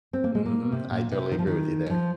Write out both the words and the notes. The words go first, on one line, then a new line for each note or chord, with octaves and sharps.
Mhm, I totally agree with you there.
C4
A#3
G#3
A#3
C3
A#2
C3
D#3
F3
D#3
F3